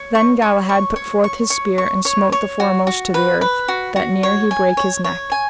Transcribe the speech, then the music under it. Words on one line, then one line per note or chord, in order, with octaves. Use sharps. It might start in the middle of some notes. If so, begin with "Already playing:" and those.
Then Galahad put forth his spear and smote the foremost to the earth, that near he brake his neck.
Already playing: C#5
C#6
C#5
C#6
C#5
C#6
C#5
C#6
C#5
C#5
F#4
F#4
B4
B4
F#4
F#4
C#5
G#5
C#5
C#5
G#5